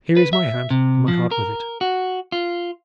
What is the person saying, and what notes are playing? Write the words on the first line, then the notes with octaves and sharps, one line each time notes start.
Here is my hand, and my heart with it.
B4
E5
C3
F3
A#4
F#4
F4